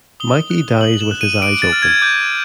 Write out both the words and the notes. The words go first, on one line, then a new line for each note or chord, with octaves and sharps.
Mikey "dies" with his eyes open.
D#6 G7
F#6
D#6 F#7
E7
F#6
D#7
D6 D7
A6
F6
G#6
D6 G6